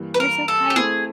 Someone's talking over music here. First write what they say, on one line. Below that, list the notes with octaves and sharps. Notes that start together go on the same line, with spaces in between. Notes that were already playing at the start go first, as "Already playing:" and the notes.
You're so kind.
Already playing: G2 E3 G3 A#3
B4
A#4
A4
G4
A3 C4 E4 G#4